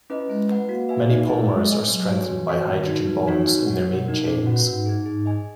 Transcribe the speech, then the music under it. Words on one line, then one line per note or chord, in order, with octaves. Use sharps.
Many polymers are strengthened by hydrogen bonds in their main chains.
C#4 E4 B4 D#5
G#3 E4
B4 F#5
A#3 F#4
B4 E5 G#5
D#4
G#4 C#5 E5
G#3 G#4
D#5 G#5
F#3 B3
F#4 C#5 G#5
E3 B3
F#4 C#5
D#3 B3
D#4 F#4
E3 B3
D#4 F#4 C#5 G#5
B3
F#4 C#5 F#5
B2 A#3
D#4 A#4
A#2 C#4
F#4 B4 F#5
G#2 A#3
D#4 G#4
G#2 G#4
D#5 G#5